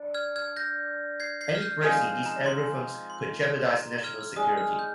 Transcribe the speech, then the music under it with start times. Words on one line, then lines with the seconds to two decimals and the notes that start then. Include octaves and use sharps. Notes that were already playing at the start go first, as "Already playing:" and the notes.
Any breaks in these algorithms could jeopardize national security.
Already playing: D4
0.14 F6 G#6
0.36 F6 G#6
0.56 G6 A#6
1.20 G#6 C7
1.41 G#6 C7
1.55 F6
1.62 G6
1.83 F3 G#3 C4 D#4 F6
2.26 A#5
2.46 C6
3.10 C6
3.73 A#5
4.04 F6 G#6
4.21 F6
4.36 G#3 D#4 G#4 D#6
4.57 F6
4.79 G6